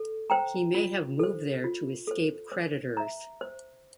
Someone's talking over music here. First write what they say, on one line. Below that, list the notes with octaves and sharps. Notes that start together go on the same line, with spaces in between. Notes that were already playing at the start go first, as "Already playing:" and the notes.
He may have moved there to escape creditors.
Already playing: A4
C5 G5 A#5
F4
A4 C5
F4
A4 C5
C5
E5 A#5
C5